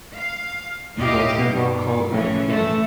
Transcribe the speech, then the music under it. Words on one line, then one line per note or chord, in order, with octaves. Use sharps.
He was never called up again.
F5
D#2 E4 G4 D#5 F5
G2 D#3 G3
A2 C#3 E3 F3 C#4
E3 A3